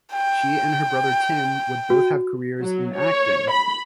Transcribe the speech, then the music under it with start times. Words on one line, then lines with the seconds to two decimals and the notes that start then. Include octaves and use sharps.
She and her brother Tim would both have careers in acting.
0.13 G5
1.90 F#4
2.61 F#3
2.99 C#5
3.51 B5